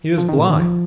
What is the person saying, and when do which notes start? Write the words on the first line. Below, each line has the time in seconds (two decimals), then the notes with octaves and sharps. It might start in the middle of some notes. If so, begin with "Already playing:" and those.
"He is blind."
0.18 F3
0.29 D#3
0.39 A#2
0.50 D#3
0.60 F3